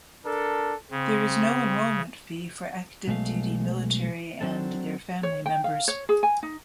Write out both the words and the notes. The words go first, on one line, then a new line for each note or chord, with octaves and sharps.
There is no enrollment fee for active duty military and their family members.
D4 A4 A#4
C#3 C4
B1 G#3 A3 F5
F#3 C4 D4 A4
C#5
G5
F5
C#5
G#4
G#5
D#4